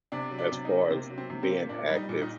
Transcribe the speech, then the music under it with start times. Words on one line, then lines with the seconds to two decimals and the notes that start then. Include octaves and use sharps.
as far as being active,
0.12 C3 D4
0.31 F#3
0.39 D4
0.52 C3
0.65 D#4
0.71 A#3
0.90 C3 C4
1.10 F#3
1.18 C4
1.30 C3
1.43 C4
1.50 A#3
1.69 A#2 D4
1.90 G3
1.96 D#4
2.09 A#2
2.22 D#4